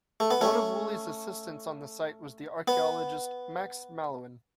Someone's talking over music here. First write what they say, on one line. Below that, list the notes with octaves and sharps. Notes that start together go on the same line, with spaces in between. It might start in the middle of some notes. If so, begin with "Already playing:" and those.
One of Woolley's assistants on the site was the archaeologist Max Mallowan.
A3
B3
A3 C#4
B3